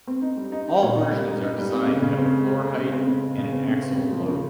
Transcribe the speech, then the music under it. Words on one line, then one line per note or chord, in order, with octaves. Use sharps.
All versions are designed to have a floor height and a axle load.
C4
D#4
G3
D#4
D#4
A#2
D#4
G3
D#4
D#4
G3
C4
C#3
C#3
C4
G#3
G#3
G#3
C#3
C4
C#3
C4
C#3
C4
C#3
C4
C#3
F3
C#3